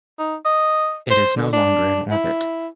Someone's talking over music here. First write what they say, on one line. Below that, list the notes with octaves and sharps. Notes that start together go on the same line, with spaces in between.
It is no longer in orbit.
D#4
D#5
C5
D3
D4
E4